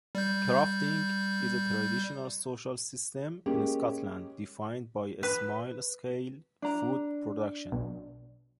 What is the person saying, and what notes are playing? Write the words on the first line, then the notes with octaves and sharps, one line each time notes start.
Crofting is a traditional social system in Scotland defined by small-scale food production.
G3 G6
G#3 A#3 C#4 G4
B4
D4 A#5
B1